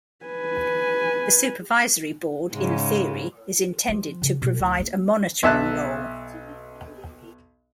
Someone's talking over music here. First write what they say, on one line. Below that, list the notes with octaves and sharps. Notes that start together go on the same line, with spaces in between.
The supervisory board, in theory, is intended to provide a monitoring role.
B4 G#5
G#2 C#3 G#3
F3
C#3
B2
D2
A#3
B1 E5 A5 F#6